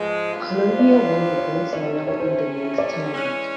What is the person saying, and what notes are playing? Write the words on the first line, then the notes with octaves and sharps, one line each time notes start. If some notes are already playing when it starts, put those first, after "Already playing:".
Colombia won the bronze medal in the mixed tournament.
Already playing: G#2 F3 G#3 B4
D3 G3 B3 D4 F4
C5
D5
D5
C#5
C5
C5
C#5
C#5
C3 E3 A3 C#4 D5
C#5
C5
C5
D5
E3 G#3 C#4